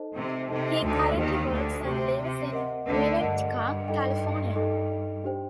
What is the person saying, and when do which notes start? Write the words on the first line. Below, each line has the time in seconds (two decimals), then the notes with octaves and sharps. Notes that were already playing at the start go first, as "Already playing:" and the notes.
He currently works and lives in Winnetka, California.
Already playing: D#4 A4 C5 D#5 A5
0.15 C3
0.48 C3 D#4 A4 C5 D#5 A5
0.82 D2 D3
1.17 D#2 D#3 G4 C5 G5
1.50 D2 D3
1.84 C3 G4 C5 G5
2.19 C3
2.52 A#4 D#5 F#5
2.86 D2 D3
3.20 G2 A#4 D#5 F#5
3.88 D#4 A4 D#5 G5
4.56 D#4 A4 D#5 G5
5.24 D4 G4 C5 G5